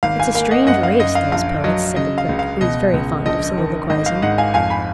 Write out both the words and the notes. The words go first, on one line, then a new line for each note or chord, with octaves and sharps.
"It's a strange race, those poets!" said the clerk, who was very fond of soliloquizing.
G#1 F5
F5 G#5
A#3 F5
D#5 F#5
F#2 D#5 F#5
F5
F#2 D#5
F5
A#1 F5
F#3 D#5
C#3 D#5
F5
C#2
F5
B2 D#5
C#2
A#1 D#5
D#3
G#1 D#5
F5
G#2 D#5 F#5
F5 G#5
F2 F5 G#5
G#5 B5